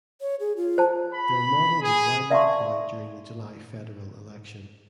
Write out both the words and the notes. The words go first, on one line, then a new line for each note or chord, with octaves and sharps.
Their model was widely deployed during the July federal election.
C#5
G#4
F4
C5 A5
B5
G#4
D5 E5 F5 A5 C6 C#6